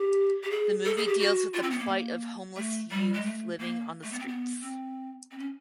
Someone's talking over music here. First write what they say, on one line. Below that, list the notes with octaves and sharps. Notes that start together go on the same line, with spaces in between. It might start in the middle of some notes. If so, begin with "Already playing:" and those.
The movie deals with the plight of homeless youth living on the streets.
Already playing: G4
G4
G#4
A4
G#4
G4
F#4
F4
C4
B3
A#3
A3
G3
G#3
A3
A#3
A3
B3
C4
B3
C4
C4
C#4